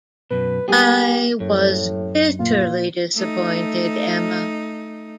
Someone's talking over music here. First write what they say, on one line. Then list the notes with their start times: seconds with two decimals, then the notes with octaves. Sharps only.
I was bitterly disappointed, Emma.
0.31 F#2 B2 B4
0.68 G3 A#3 B3 G4 G#4
1.40 F#2 A2
2.39 A#2 F4
3.14 A3 D#4